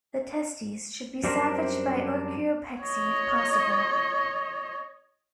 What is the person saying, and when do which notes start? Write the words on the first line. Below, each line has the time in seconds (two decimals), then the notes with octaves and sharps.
The testes should be salvaged by orchiopexy if possible.
1.24 F#2 G3 C4 D4 A#4 C5
2.82 C#5 D#5